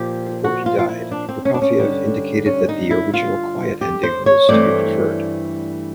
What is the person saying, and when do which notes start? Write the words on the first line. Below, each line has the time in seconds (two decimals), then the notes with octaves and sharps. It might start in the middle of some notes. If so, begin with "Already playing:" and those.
Before he died, Prokofiev indicated that the original quiet ending was to be preferred.
Already playing: A#2 F3 G4
0.44 F#4
0.66 F4
0.79 F4
0.89 E4
1.11 D4
1.29 C4
1.45 C#4
1.54 D4
1.62 C#4
1.79 G2 D3 G3
2.46 C#4
2.69 D#4
2.91 E4
3.14 F4
3.81 G4
4.03 C5
4.26 C#5
4.49 G2 E3 A3 C4 D5